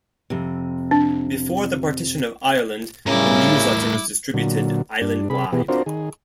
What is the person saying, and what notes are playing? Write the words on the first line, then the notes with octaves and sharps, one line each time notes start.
Before the partition of Ireland, the "News Letter" was distributed island-wide.
F2 C3
D4
D2 A2 C#3 G3 C#4 E4 A#4 D6
A#2 D3 F#3
G2 D4
C3 G#4 B5
B2 E3 B3 G4 G#4
C4 D4 F4 F#4 A#4 C5
D#3 G#4